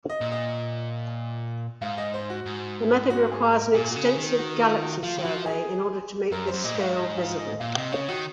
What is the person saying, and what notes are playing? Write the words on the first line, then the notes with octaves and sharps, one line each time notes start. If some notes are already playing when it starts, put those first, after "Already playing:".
The method requires an extensive galaxy survey in order to make this scale visible.
D#5
A#2
D#5
G#2 F5
D#5
C5
F#4
G#2
F#4
G#4
A#4
A#2 G#4
F#4
C#3
G#4
D#3
F#4
F4
F#4
F3 F4
D#3
F3 F#4
G#4
F#2 A#4
C5
F#2
A#2 D#5
G#2
F5
D#5
F4
D#5
A#2 F5
C3 D#5
C#3 C#5
D#3 F#4